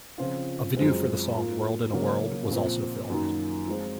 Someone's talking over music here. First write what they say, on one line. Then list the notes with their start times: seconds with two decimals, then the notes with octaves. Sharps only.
A video for the song "World in a World" was also filmed.
0.18 C#3 F3 C4 F4
0.77 F#2 F3 G#3 C4
1.35 F3 A#3 F4
1.93 C#3 F#3 A#3 C#4
2.51 A#2 F3 C4
3.10 F#2 D#3 F#3 A#3 D#4
3.67 F3 G#3 C4 F4